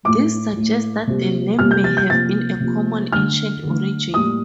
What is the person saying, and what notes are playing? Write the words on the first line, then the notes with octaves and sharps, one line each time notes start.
This suggests that the name may have a common ancient origin.
A2 A3 D6
A2 A3
C3 G3 A#3
C3 G3 A#3 F6
G6
A6
G6
C3 F3 A#3 A6
C3 F3 A#3
D3 A3 F6
D3 A3
A2 G3 A#3 D#6